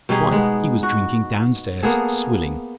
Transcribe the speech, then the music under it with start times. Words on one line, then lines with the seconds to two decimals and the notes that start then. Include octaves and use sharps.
Why, he was drinking downstairs--swilling.
0.09 B2 G3 D#4 G#4
0.32 G#3 B3
0.83 F#4
1.82 A#3 B3 G#4 A4